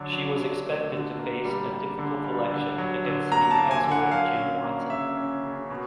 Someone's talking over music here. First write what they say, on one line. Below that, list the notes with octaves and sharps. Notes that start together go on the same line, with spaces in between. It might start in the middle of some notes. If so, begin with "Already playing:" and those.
She was expected to face a difficult election against city councillor Jim Watson.
Already playing: D3 F#3 D4
F#3
D4
A3
D3
A#3
G3
G3
D3
G3
D3
F#3
D3
A#3 A#5
A5
A#3
G#5
D3
F#5
F#3 F5
C#4
A#3
C#3 E5
C#4
C#3
B2